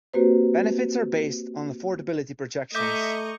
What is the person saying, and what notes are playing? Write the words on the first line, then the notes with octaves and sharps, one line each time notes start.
Benefits are based on affordability projections.
A#3 C4 F#4 G4 B4 C5
A3 D#5 E5 A#5 C#6 D6 G6